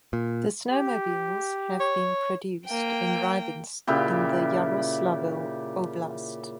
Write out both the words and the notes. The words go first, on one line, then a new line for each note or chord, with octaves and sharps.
The snowmobiles have been produced in Rybinsk in the Yaroslavl Oblast.
A#2
G4
C#5
A#3 G5
A#2 C#3 E4 G4